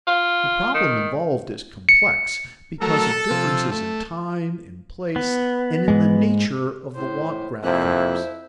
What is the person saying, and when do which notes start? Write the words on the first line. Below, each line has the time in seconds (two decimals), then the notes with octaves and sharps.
The problem involved is complex because of differences in time, in place, and in the nature of the want-gratifiers.
0.07 F4
0.74 D#3
1.89 C#7
2.82 F#3 A3 A4 A#4
3.30 C3 F3
3.71 A3
5.16 B3
5.88 G#2 G#3
6.96 A2 C5
7.64 F2 C3 A#3 E4 C5 F#6